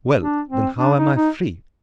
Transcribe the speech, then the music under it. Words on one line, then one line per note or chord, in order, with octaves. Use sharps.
"Well, then, how am I free?"
D4
C4
D4
D#4
D#4